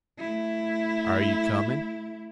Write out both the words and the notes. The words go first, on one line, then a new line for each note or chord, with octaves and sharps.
"Are you coming?"
A3 E4